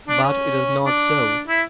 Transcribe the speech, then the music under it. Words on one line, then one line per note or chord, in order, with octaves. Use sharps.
But it was not so.
D4
C#4
D4
E4